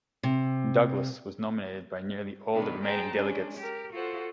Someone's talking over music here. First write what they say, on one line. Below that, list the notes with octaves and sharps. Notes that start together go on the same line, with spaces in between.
Douglas was nominated by nearly all the remaining delegates.
C3
B2 D#3 B3 D4 B4
G#4 C5 G5 A5 A#5
G#3 C#4 D4
G4 A#4
F4 F#4 A4 C5 F#5